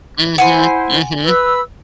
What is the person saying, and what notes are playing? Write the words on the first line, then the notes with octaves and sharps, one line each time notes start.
Mhm, mhm.
E4 C5 F#5 G#5 C6
B4 E6